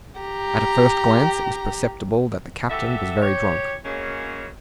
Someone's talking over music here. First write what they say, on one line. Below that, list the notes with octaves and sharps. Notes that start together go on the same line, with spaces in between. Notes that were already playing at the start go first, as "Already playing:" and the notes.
At a first glance it was perceptible that the captain was very drunk.
G4 A#5
F#4 G4 A4 E5
G4 C#5
C#3 F#3 G#3 A#3 C#4